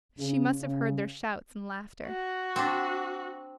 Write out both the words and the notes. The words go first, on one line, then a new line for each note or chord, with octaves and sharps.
She must have heard their shouts and laughter.
C#3
C#3
F#4
C4 D4